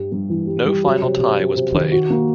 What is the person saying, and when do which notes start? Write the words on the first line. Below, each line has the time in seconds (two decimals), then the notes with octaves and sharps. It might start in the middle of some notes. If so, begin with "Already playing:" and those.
No final tie was played.
Already playing: G2 G3
0.12 G2
0.30 E3
0.47 G3
0.66 G3
0.84 F#3
1.02 C3
1.19 C3
1.38 F#3
1.56 C3
1.75 D#3
1.92 F#4
2.10 A#3